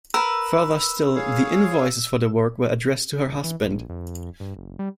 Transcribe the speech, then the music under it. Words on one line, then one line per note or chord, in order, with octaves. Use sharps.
Further still, the invoices for the work were addressed to her husband.
A#4 B4 E6
G#4 C#5 F5
D#1
E3
A#1
F2
G2
F#1
G3